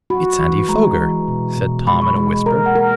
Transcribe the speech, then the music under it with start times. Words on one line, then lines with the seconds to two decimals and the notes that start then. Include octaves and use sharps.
"It's Andy Foger!" said Tom, in a whisper.
0.10 F#4 B5
0.39 E3 B5
0.69 G#3 A#5
0.98 E3
1.28 B2
1.57 B2
1.87 G#3 B5
2.02 C#6
2.16 G#3 B5
2.46 A#4 A#5
2.66 F#5
2.75 A#4